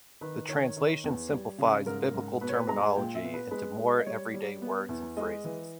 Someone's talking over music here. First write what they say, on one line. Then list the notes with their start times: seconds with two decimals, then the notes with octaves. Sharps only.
The translation simplifies Biblical terminology into more everyday words and phrases.
0.21 D#3 B4
0.49 D#3 C#5
0.76 D#3
1.04 E2
1.31 G3
1.58 C#3
1.86 G#2 A#4
2.03 A#4
2.14 G#2
2.41 B2 B4
2.49 C#5
2.54 B4
2.69 G#3 A#5
2.83 G#5
2.96 A#2 G5
3.15 E5
3.24 B3
3.34 B4
3.51 G#3 B4
3.79 G#3
3.99 D#5
4.06 G3 C#5
4.34 G3
4.62 B3
4.89 E2
5.17 G#3 D#5
5.44 E3